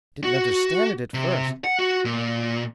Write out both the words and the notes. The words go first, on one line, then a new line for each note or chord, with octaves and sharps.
I didn't understand it at first.
F#4
C3
F#5
F#4
A#2